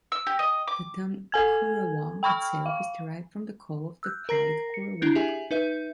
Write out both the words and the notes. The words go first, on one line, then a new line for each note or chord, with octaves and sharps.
The term "currawong" itself is derived from the call of the pied currawong.
E6
G4
D#5
D6
A4 G#5 G#6
G5 B5 C#6 F6
F5
E6 F#6 G6
A#4 A#5 A#6 C7
C#7
D4 E4 G6
G4 G#4 E5 G#5
D#4 B4 E5 G6